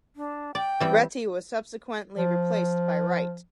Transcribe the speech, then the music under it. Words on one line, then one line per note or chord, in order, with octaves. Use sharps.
Reti was subsequently replaced by Wright.
D4
D5 G5
E3 G3 C4
F3